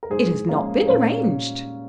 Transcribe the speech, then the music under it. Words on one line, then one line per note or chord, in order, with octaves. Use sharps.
"It has not been arranged."
A#4
G#2 G#4 C5
F3 G#3 A#3 C#4
A#2 A#3 C#4
G3 A#3